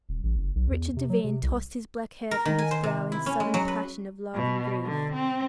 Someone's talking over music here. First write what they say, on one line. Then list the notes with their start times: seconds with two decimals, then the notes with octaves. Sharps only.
Richard Devine tossed his black hair from his brow in sudden passion of love and grief.
0.09 D#1
0.23 A1
0.36 F#1
0.55 B1
0.67 E2
0.96 C3
1.10 F#3
1.24 C3
1.43 C2
2.31 A#4
2.45 D#3
2.58 G#5
2.71 C5
2.83 C3
3.12 E4
3.26 C#4
3.40 G#3
3.54 F#3
3.68 B4
4.34 B2
4.85 D3
5.14 C4